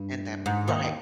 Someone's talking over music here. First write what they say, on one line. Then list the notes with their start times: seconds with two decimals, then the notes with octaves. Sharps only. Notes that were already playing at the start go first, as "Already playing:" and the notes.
And that mo right.
Already playing: G2
0.46 G#2
0.68 D#2 D#3